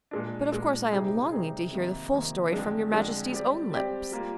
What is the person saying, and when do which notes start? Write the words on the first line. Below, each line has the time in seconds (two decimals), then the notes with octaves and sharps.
But of course I am longing to hear the full story from your Majesty's own lips.
0.11 A#2 G#3 D4
0.52 A#2 G#3 D4
0.92 C3 G3 C4 D#4 G#4
1.32 C3 G3 C4 D#4 G#4
1.72 F2 C3 D#3 A#3
2.12 F2 C3 D#3 A#3
2.52 F2 D3 G#3 D4
2.91 F2 D3 G#3 D4
3.32 G3 C4 G4 D5
3.72 G3 C4 G4 D5
4.12 G3 A#3 F4